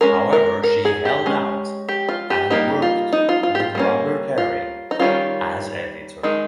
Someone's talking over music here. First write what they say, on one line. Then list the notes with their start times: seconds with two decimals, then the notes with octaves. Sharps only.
However she held out and worked with Robert Herring as editor.
0.01 G#3 C#4 A#4
0.33 A#4
0.64 A#4
0.85 G#4
1.05 G4
1.26 G#3 C#4
1.89 G4
2.09 F4
2.30 G4
2.50 G3 A#3 D#4 G4
2.82 F4
3.13 D#4
3.29 F4
3.43 F4
3.55 G4
3.60 F4
3.75 G3 A#3 C#4
4.38 F4
4.91 D#4
4.99 D#3 G3 C#4 F4
6.23 D#3 G#3 D#4